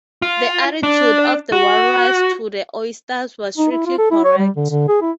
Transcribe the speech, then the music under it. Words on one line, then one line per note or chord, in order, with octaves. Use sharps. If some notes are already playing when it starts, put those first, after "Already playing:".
The attitude of the walrus to the oysters was strictly correct.
F4
D4
F#4
D#4
E4
F4
A4
E4
C#5
G3
D3
D3
G#4
E4